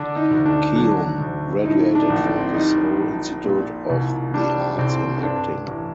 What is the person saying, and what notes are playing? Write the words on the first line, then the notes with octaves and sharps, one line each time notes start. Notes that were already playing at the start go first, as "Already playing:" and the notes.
Keum graduated from the Seoul Institute of the Arts in acting.
Already playing: D3 D4
D#4
D2
D4
F#3 D4
D2
A2 D#4
D4
A#1
C4
G3 D#4
A#1
A#2
C2
G3 D4
C2 C4
C4
G2 D4
A1